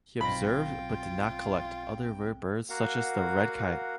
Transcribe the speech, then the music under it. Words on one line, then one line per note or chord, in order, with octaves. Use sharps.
He observed, but did not collect, other rare birds such as the red kite.
B1 C4 F4 G5 B5 A#6
A#3 F#4 A#4 F5 F#5